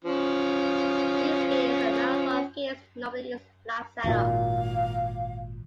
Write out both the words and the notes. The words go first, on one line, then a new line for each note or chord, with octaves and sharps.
Speed skaters and marathon skaters normally use flat setups.
F3 C#4
G#1 A#2 F5